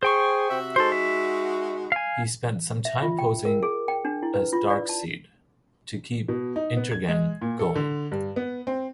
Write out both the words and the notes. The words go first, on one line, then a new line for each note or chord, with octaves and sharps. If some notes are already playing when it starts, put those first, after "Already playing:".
He spent some time posing as Darkseid to keep Intergang going.
G#4 C5 G5 C#6
C3 F#4 E5
G#3 D#4 F#4 A4 C5
E5
F5 G#5
E5
F4
G5
A#4
G#4
G5
D4
E4
B4
F4
D5
A5
B2
D#4
B3
G#6
G#3
A#2
A4
D3
G2
B3
C4